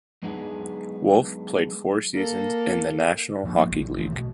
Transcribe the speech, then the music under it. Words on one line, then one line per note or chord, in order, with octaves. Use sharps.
Wolfe played four seasons in the National Hockey League.
F#3 G#3 B3 D4 D#4 G#4
A#3 A4
A#2 F3 A#3 D4
C#2 F3 A3 B3
A#1 F#3
A1 D#3 E3 A3
B2